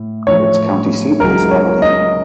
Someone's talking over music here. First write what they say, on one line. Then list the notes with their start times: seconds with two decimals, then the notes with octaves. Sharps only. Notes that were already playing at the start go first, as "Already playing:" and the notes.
Its county seat is Abilene.
Already playing: A2
0.27 A2 F3 C#5
1.20 C#2 C#3 F#3 A#4
1.51 C#5
1.82 D#5